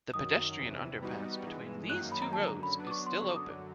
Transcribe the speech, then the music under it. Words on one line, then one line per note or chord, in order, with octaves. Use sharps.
The pedestrian underpass between these two roads is still open.
F#2 D#3 F#3 D#6
E2 C3 E3
G3 B3 D#4 F#4
G2 E3 G#3
F#2 D#3 F#3 A#3 D#4 F#6
B5
A#5
F#2 D3 F#3 A5
A#5
B5
F#3 B3 D4
D6
C#6
C6
F#2 D3 F#3 C#6
D6
D#6
D6